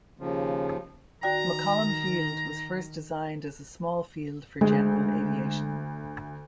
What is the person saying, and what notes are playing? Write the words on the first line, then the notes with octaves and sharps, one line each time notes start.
McCollum Field was first designed as a small field for general aviation.
D#2 C#3 F3
D#3 F#4 D5 G5 A#5
D2 G#3